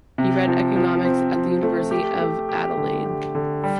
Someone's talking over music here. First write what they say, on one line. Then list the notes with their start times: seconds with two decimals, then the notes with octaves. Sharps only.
He read economics at the University of Adelaide.
0.18 C3
0.48 F3
0.76 F3
1.05 C4
1.34 F3
1.63 A3
1.91 G4
2.20 A3
2.49 G4
2.77 D3
3.06 G4
3.35 D3
3.64 G3